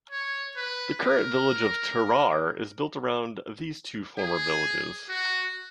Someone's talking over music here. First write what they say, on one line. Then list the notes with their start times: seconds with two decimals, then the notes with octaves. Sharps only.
The current village of Ter Aar is built around these two former villages.
0.11 C#5
0.56 B4
1.01 A#4
4.18 G#4
5.09 F#4